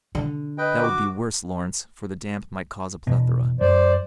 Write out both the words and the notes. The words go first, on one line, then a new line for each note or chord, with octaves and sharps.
"That would be worse, Lawrence, for the damp might cause a plethora."
D3
B4 D#5 G5
F#4 D6
E2 B2
F#2 C5 D5